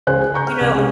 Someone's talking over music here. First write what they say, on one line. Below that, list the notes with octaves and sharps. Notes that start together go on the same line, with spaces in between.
you know, I
C#2 C5 G#5 F#6
G#4
A#5 C#6 G6
F6
C2
G#3 C#4 G#4